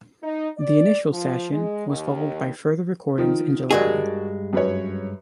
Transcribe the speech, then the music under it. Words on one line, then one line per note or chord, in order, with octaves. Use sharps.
The initial session was followed by further recordings in July.
D#4
D5
F3
G#3
D#2
D#3 F3
G2 G#3 F#4 G#4 A#4 D5
F#2 B4 C#5